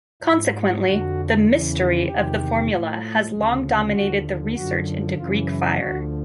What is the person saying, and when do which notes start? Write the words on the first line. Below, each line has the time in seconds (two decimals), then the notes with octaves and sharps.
Consequently, the "mystery" of the formula has long dominated the research into Greek fire.
0.22 G#2 F3 E4
0.84 F2 D3 F3 F#4
1.46 E2 C#3 E3
2.08 E2 C3 D#3 G4
2.70 A2 F3
3.32 D2 C#3 F3
3.93 D#2 D3 F3 F#4
4.55 F#2 D3 F3 F#4
5.16 F#2 C#3 E3 F4
5.48 E4
5.79 D2 D3 F3 F#4